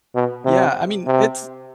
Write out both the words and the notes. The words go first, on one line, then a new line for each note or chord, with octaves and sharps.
Yeah, I mean, it's
B2
C3
C3